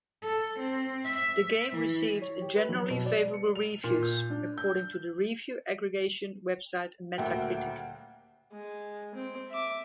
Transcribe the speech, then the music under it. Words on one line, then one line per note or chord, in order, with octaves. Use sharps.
The game received "generally favourable reviews" according to the review aggregation website Metacritic.
A4
C4
E5
E3
C#5
G4
B4
F#3
B2
D5
C#7
F7
A#2
G6
D4
G6
D#1 D2 A#3 E5 F#5 G5
G#3
C4
E5 D6